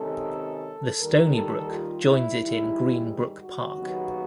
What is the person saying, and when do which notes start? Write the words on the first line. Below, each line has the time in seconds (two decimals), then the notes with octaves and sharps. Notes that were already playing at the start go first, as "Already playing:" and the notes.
The Stony Brook joins it in Green Brook Park.
Already playing: C3 D#3 G#3 C#4 A4
0.99 D#2 D#3 G3 A#4
1.34 A4
1.68 F4
2.03 E4
2.37 G#2 D#3 G3 E4
3.40 F#4
3.75 D#2 C#3 F#3 B3